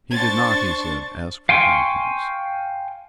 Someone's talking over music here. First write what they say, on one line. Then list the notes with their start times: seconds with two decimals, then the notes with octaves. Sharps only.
He did not, he said, ask for confidence.
0.14 D4 C5 C#6 A6
1.49 F5 G5 G#5 C6 C#6